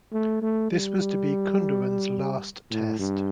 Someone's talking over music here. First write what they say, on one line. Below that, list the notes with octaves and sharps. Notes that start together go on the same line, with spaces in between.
This was to be Kunderan's last Test.
A3
A3
G3
A2
G2